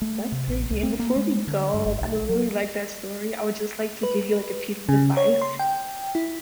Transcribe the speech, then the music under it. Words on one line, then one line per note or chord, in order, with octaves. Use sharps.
That's crazy, and before we go, like, I really liked that story, I would just, like, to give you, like, a piece of advice,
A3
C3
A1
C2
C4
A#3
G#3
D3
G2
G1
B1
F#3
B4
C#3
C#5
C6
G5
E4